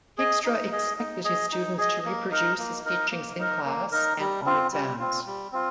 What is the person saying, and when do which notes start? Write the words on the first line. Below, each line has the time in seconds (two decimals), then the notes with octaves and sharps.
Keegstra expected his students to reproduce his teachings in class and on exams.
0.18 G#4 D#5
0.45 D#4
0.72 G#4 D#5
0.99 D#4
1.24 G#4 D#5
1.52 D#4
1.78 G#4 D#5
2.05 A#3
2.31 D#4 A#4
2.59 A#3
2.86 D#4 A#4
3.11 A#3
3.39 D#4 A#4
3.65 A#3
3.92 D#4 A#4
4.19 G3
4.46 C4 F4
4.72 G3
4.99 C4 F4
5.26 G3
5.52 C4 F4